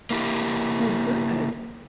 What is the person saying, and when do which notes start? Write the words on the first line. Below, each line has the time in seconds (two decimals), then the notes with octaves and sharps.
Oh, good.
0.10 A#3 E4 G4